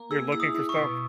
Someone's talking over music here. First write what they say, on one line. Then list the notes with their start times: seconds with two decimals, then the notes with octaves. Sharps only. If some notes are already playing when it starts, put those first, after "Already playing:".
You're looking for stuff?
Already playing: A#3
0.11 G#4 E6
0.32 E4 E6
0.40 D#6
0.54 E4
0.69 C#6
0.77 B2